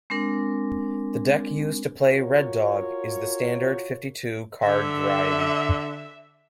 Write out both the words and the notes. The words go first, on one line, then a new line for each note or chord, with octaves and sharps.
The deck used to play red dog is the standard, fifty-two-card variety.
G#3 C4 D4 A#4
F4 F#4 A#4 C#5
D3 E5